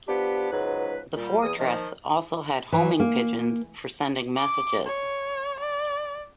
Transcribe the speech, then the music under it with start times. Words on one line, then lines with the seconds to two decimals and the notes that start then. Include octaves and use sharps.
The fortress also had homing pigeons for sending messages.
0.08 F3 B3 D4 G4
0.51 C#2 G#2 F#3 B4
1.16 A#2 G3
1.42 E2 D#6
1.57 D#3 F3
2.72 E3
3.00 A#3
4.36 D6
4.86 C#5
5.60 D5